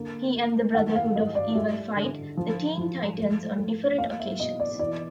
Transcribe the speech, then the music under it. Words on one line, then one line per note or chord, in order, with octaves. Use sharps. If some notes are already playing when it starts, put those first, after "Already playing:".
He and the Brotherhood of Evil fight the Teen Titans on different occasions.
Already playing: D3 A#3
A#3
D#3 F#5
F5
G3 D#5
D5
G3 E5
D3
F3
F3
A3
A3
A#3 F5
E5
B2 D#5
D5
E3 D5